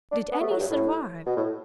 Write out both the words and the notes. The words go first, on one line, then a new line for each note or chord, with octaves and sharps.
Did any survive?
D4
B3
A3
F#3
G2
A2
B2
A2